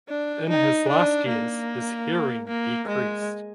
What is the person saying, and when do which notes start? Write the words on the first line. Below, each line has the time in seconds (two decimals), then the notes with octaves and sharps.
In his last years his hearing decreased.
0.09 D4
0.49 D#4
0.89 D4
1.28 A#3
2.48 A#3
2.88 G#3